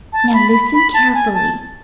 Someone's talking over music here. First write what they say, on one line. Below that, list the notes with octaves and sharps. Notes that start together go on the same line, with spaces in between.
Now, listen carefully.
A5
B5
B5
B5
A5
G#5
A5